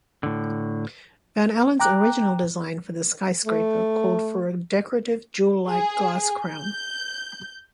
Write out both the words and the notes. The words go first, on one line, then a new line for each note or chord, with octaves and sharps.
Van Alen's original design for the skyscraper called for a decorative jewel-like glass crown.
A2 D3
G5 A#5 D6 F#6
A3
G#4
G6